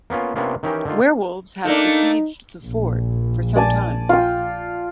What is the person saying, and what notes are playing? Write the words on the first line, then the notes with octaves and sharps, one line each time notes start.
Werewolves have besieged the fort for some time.
A#3 B3 C#4 F4
C3 A#3 B3 C#4 D4 F4
D#3 E3 C#4 D#4 G4 A#4
D3 D#3 F4
A3 A#3 D4 D#4
A#1
D5 G#5 A5
F4 G5